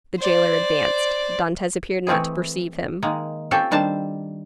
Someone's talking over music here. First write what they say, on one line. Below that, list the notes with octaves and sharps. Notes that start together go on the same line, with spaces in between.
The jailer advanced; Dantes appeared not to perceive him.
C5 D5
E3 A3 C4 E4 G#4
D#3 G#3 A#3
C4 C#4 F4 G4 A4 G5
D#3 G3 D4 C5 A5